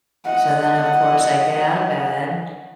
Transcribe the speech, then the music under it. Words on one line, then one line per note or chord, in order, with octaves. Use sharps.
So then of course I get out of bed
D#5 F#5